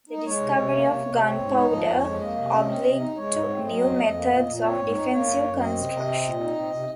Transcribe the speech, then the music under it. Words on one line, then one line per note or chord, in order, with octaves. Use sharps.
The discovery of gunpowder obliged to new methods of defensive construction.
D#4
D#5
G#3 C#5
C3
C3
A#3
C3
C3
D#5
C4 C#5
G#2
D#4
F3 D#5
F2
C#5
G#3
A#3 D#5
C3
C#4
C4
C3
D#4
G#3 C#5
G#2
C4
F#3 D#5
F2
F2
A#3
A#2
A#2
C4 C#5
G#2
D#4
A#3 C#5
F#2
F#2
C4 D#5
C3
C3
C4
A#2
D#4
C4
C3